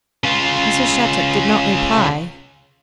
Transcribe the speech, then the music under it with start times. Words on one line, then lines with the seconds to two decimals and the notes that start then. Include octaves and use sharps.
Mrs. Shattuck did not reply.
0.24 C#3 F4